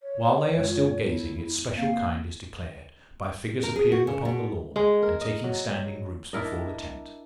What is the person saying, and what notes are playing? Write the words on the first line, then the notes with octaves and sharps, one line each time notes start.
While they are still gazing its special kind is declared, by figures appearing upon the lawn and taking stand in groups before the tent.
C#5
F#2 G#3
F4
B3 E4 C#5
A#3 C4 F5
A#4
G#4
F#4
C#3
B2
G#3
A#4
D#5
F#3
D4 E4 A#4 D#5